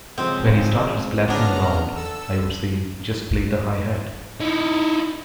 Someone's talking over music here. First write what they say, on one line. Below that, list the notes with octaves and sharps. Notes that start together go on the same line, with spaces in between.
When he started splashing around I'd say, 'Just play the hi-hat!'.
C#3 F3 G#3 C4
C#3 B3 D4 A#5 F6
A4 E6
D#4 E4